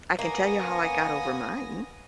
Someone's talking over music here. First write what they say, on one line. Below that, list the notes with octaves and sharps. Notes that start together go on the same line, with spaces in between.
I can tell you how I got over mine.
A#3 B3 C#4 G#5 D#6 A#6